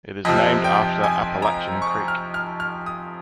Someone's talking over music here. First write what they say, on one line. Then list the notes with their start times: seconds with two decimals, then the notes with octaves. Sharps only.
It is named after Apalachin Creek.
0.25 F2 C3 F3 D#5
0.64 G5
1.04 G#5
1.42 A#5
1.82 C#6
2.08 F6
2.34 F6
2.60 F6
2.86 D#6